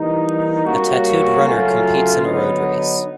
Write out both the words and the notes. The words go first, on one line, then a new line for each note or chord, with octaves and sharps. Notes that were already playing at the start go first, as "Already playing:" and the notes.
A tattooed runner competes in a road race.
Already playing: E3 G3 A#3 D#4
G3 A#3 C#4 F#4
C#3 F#3 A3 C#4 F4
D3 F#3 B3 D#4